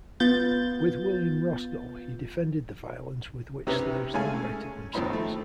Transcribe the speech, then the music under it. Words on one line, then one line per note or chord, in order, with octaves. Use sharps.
With William Roscoe, he defended the violence with which slaves liberated themselves.
B3 F4 G6 A6
C3 C#4 D#4 G4 B4
G#3 A3 C#4 F5 G#5
D#2 F3 C4 D#4 B5 C6
A3